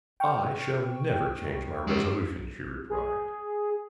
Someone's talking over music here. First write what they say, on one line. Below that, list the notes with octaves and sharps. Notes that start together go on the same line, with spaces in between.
"I shall never change my resolution," she replied.
G5 C#6 F6
G#3 C#4
G#4